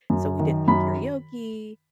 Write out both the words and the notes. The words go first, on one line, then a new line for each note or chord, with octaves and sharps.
So, we did the karaoke,
F#2
D#3
F#2 B5